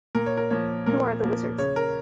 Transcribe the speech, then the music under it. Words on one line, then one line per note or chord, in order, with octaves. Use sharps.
Who are the Wizards?
A#2 A#4
C#5
A#4
F3 A#3 C#5
A#2 A#4
F3 A#3
C#3 C#5
A#4